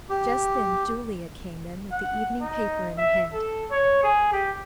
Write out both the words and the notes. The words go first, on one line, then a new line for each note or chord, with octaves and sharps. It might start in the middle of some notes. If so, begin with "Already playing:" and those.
Just then Julia came in with the evening paper in her hand.
G4
F#5
D#4
E5
A4
C#5
G#4
G4